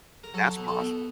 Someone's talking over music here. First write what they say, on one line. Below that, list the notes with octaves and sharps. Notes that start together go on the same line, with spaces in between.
That's possible.
A#4
F#3 A4
B2
A4
B2